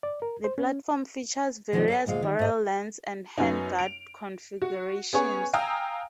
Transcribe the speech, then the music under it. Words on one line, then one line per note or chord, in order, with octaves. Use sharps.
The platform features various barrel lengths and handguard configurations.
D5
A#4
C5
C#4
B2 D#3 F3 B3 C4 D4
A4 C#5 G#5
D2 A#2 G#3 F5
D#3
G#2 D#5
F#2 B3 C#4 D#4
D7 F7
F#4
B3 C#4 G#4 C#5
F5 G5 G#5 A#5 D#6 E6